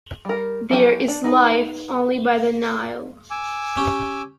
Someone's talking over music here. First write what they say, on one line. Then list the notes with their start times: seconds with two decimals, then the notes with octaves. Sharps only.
There is life only by the Nile.
0.25 G3 A#4
0.71 F3 F#3 C#4 E4 G4
1.08 D4
1.24 D#4 G#4 B4
3.31 G#5 D6 E6
3.77 C#4 G4